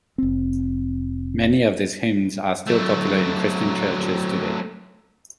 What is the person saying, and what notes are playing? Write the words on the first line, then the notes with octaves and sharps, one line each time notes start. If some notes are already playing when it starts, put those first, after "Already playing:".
Many of these hymns are still popular in Christian churches today.
F1 C4
F#3 A3